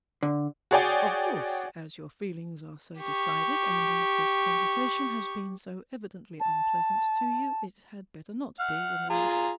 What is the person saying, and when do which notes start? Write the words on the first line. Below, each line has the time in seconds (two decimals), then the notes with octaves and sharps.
'Of course, as your feelings are so decided, and as this conversation has been so evidently unpleasant to you, it had better not be remembered.
0.23 D3
0.71 F#4 G#4 C#5 D5 G5 G#5
3.00 G4 C#6
6.40 A5
8.60 F#5 F6
9.10 F4 G#4 A#5